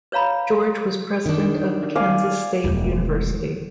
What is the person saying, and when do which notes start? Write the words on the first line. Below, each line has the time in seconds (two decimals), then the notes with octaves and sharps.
George was president of Kansas State University.
0.12 B4 C#5 F5 A#5 B5
1.26 D#3 D4
1.95 D5 F5 G#5
2.64 E1 D2